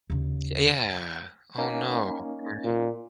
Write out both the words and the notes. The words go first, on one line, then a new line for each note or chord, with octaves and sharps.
Yeah. Oh, no, really?
D#2 C#3
A#3 C#4 D#4
A#2